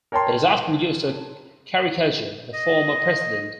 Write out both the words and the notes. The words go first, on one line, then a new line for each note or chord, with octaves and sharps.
It is often used to caricature the former president.
A#4 C#5 G5 A5 C6
D#5